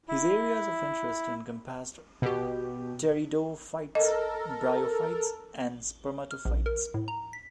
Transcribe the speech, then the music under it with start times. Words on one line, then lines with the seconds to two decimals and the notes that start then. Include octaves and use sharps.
His areas of interest encompassed Pteridophytes, Bryophytes and Spermatophytes.
0.09 E4
2.22 B2 G4
3.95 A4 A#4 D#5
6.31 F6
6.45 A#1
6.66 A#4
6.94 A2
7.08 A#5
7.33 B6